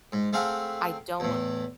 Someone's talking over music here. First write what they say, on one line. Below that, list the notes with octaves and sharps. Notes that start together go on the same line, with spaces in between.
I don't
G#2
A3 C4 G#4 F5 F#5
E2 A2